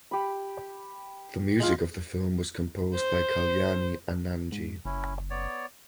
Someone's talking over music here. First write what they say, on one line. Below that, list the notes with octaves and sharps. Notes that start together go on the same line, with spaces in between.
The music of the film was composed by Kalyanji Anandji.
G4 B5
G#3 F4
C5
G#2
F#1 C#4 E4
B3 C#5 D5